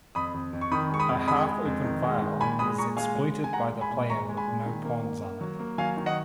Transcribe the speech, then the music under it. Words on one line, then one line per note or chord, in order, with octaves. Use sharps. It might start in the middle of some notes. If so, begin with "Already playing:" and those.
A half-open file is exploited by the player with no pawns on it.
F2 B5 D#6
F2
F2
C#6
D#3 B5 D#6
G#3 C#6
B5 D#6
F2
G#3 B5 D#6
G#3
F2
D#3
G#3
D#3
A#2 G#5 B5
G#3 B5 D#6
A#2 A#5 C#6
G#3 F5 G#5
G#3
G#3
G#5
G#3 F#5 A#5
G#3
G#5 B5
A#2
G#3 A#5 C#6
G#3
G#5 B5
A#2
D#3
A#3
A#3
A#3
F#3
A#3
F#3 F5 G#5
D#3
D#5 F#5